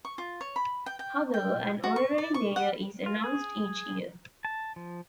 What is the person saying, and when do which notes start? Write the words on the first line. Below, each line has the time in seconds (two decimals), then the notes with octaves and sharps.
However, an Honorary Mayor is announced each year.
0.05 C#6
0.18 F4
0.41 C#5
0.56 B5
0.86 G5
0.99 G5
1.34 G5
1.84 F#4
1.96 C#6
2.18 D5
2.34 C#6
2.56 F#5
3.06 F4
3.23 G#4
4.45 A5
4.76 F3